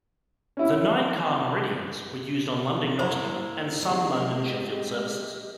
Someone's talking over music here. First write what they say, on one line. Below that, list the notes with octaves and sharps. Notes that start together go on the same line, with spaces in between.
The nine-car "Meridians" were used on London-Nottingham and some London-Sheffield services.
C#4 E4
A#3 E4 A#4 C5
G#3 C4 E4 G4 D#5